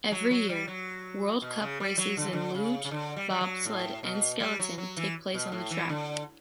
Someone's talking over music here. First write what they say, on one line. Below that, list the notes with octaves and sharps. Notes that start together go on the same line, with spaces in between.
Every year, World Cup races in luge, bobsleigh and skeleton take place on the track.
F#3
F#3
G3
F#3
B2
C#3
G3
F#3
D3
E3
D3
C#3
C#3
D3
G3
G3
F#3
A2
B2
G3
F#3
F#3
E3
B2
A2
E3
D3